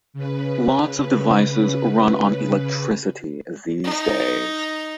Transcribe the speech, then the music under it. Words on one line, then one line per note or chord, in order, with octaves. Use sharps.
Lots of devices run on electricity these days.
C#3 B4
D#4